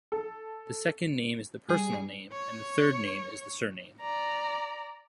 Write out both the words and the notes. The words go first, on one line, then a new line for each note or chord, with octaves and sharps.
The second name is the personal name and the third name is the surname.
A4
G3 G#4
C#5 C#6
D5 A#5